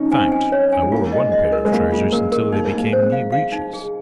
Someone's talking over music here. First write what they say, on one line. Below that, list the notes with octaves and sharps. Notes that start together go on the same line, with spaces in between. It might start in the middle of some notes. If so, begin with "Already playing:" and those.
In fact I wore one pair of trousers until they became kneebreeches.
Already playing: C#4 D#4
C4 G#5
G#5
C#5
G#5
G#3
A#3 F4
D#5
G#3
D#5
G#3
A#4
G#3
A#3 F4
F4
A#3 A#4
A#4
A#3 D#4
G#3
D#4
A#3
C4 C5
F5
F5
D#4
G#4